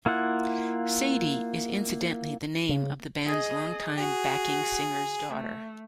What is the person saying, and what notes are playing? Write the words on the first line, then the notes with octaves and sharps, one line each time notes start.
Sadie is incidentally the name of the band's longtime backing singer's daughter.
A#3 E4 F4 F#5
C#3
G#4 D#5
F#4 G#4
A3